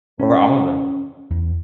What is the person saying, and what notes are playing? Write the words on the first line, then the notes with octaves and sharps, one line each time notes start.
Or all of them?
C#4
E2